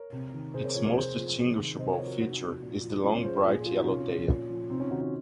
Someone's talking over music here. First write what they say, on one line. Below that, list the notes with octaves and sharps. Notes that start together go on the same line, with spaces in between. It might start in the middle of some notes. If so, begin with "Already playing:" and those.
Its most distinguishable feature is the long bright yellow tail.
Already playing: A#4 C#5
C3
D#3
C3 G#4 C5
A#4 C#5
F3 A#4 C#5
A#4 C#5
C3 G#4 C5
F3
C3
D#3
C3 C5 D#5
A#4 C#5
F3
F#4 A#4
C3 D#4 F#4
F3
A#2
F3
A#2 C#4 F4
C#4 F4
F3 G#4 C5
A#4 C#5
A#2 F4 G#4
F4 G#4
F3 F4 G#4
D#4 F#4
C3 C#4 F4
F3
A#2
F3
C3 C4 D#4
C#4 F4
D#3 D#4 F#4
D#4 F#4